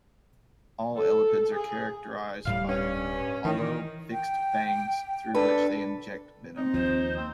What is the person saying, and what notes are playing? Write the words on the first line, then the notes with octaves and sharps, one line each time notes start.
All elapids are characterized by hollow, fixed fangs through which they inject venom.
A4
G#4
D1 A2 G3 F5
G2 C#4
D#3 E3
G5
D4 A4 B4
C4 D#4
D#2 F3 C5
A#3 C4